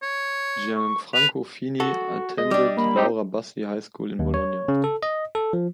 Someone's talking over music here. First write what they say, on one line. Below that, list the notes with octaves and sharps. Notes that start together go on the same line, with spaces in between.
Gianfranco Fini attended "Laura Bassi" high school in Bologna.
C#5
C#6
B4 F7
F#4 A4
G#3 D#5
G3 D4 D5 D6
A#3 B5
C4 D#4 G4 C5
D#2
C#5
C#3
A4
D#5
A4
F3